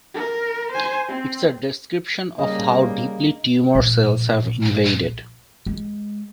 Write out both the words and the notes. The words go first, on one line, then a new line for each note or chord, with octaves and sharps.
It is a description of how deeply tumor cells have invaded.
A#4
C5 G#5
C4
C#3 G3 A#3 D#5
A#1
G#3